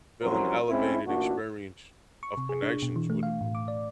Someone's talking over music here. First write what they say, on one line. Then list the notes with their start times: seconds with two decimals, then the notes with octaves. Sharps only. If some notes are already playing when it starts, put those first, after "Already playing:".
feel an elevated experience of connection to a degree.
0.23 C2 F2 F#3 C#4 A#4 C5
0.70 G#3 C4 C#4 E4
1.06 A1 A#2 D4 F#4
2.23 C#6
2.37 C3
2.49 G#4
2.62 D4
2.82 B2
2.96 E3
3.10 A3
3.23 F5
3.41 A2
3.55 D6
3.68 D5